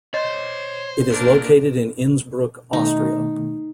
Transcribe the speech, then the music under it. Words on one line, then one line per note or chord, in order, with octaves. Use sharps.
It is located in Innsbruck, Austria.
C5 C#5 D#5 C6
B1 A#2 D4 A#4
B2 D#3 A3 D#4